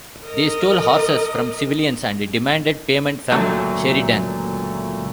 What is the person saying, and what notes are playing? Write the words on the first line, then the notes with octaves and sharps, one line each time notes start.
They stole horses from civilians and demanded payment from Sheridan.
A#4 D#5
C#2 A#2 D3 F#3 A3